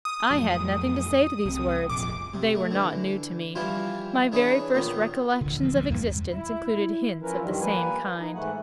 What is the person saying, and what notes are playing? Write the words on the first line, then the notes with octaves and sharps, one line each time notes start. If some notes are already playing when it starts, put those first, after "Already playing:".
I had nothing to say to these words: they were not new to me: my very first recollections of existence included hints of the same kind.
D#6
F2 A2 F#3
C2 C4
F1 A#1 D6
C3
A3
D3 E3
E3 F3 G3 E4 F4
E3 D4 G#4 B4 C#5
A#2 D#3 B3
D1 D3
D3 F3 G#3 C4
D2 G3
E2 G#2
E4
F3 C#4 E4 A#4 B4
G2 D#3 F3 G3
A#3 B4 G#5
D#4
G#2 E3 A3 F#5